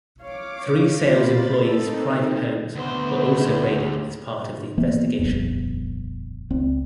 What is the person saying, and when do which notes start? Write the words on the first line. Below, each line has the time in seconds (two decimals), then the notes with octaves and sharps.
Three sales employees' private homes were also raided as part of the investigation.
0.22 C#5 F5 D6
1.01 A#3 F4 C5 B5 A6
1.61 C4 D#4 A4
2.75 D2 B3 C5
4.78 E3 A#3 B3
5.18 D#1 C2 F2 B3
6.50 C#2 C4